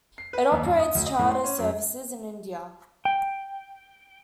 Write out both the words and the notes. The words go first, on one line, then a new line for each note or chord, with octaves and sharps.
It operates charter services in India.
C7
B4
D#2
G2
D#6
D2
D#5
A2
C6
C#4
F#2
G5